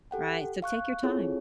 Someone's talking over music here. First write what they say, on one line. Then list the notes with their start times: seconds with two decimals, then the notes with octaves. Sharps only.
right, so, take your time.
0.11 G4 A4 F#5 G5
0.62 F5 C#6 F#6
1.03 C4 E4 F4 G#4 A4 C#5